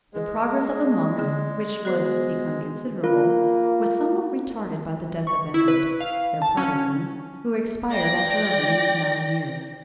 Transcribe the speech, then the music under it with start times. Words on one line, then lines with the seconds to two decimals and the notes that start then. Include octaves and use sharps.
The progress of the monks, which was become considerable, was somewhat retarded by the death of Edred, their partisan, who expired after a reign of nine years.
0.14 G#3 G#4
1.19 D3
1.85 B3 F#4 C5
3.04 A#3 F4
5.27 C#6
5.54 E4
5.68 B4
6.00 F5
6.42 A5
6.57 C#4
7.90 D5 G5 A#6